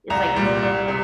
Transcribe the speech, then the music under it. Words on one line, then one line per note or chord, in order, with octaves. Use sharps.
it's like
C2 A#5
A#2 G3
C2
C3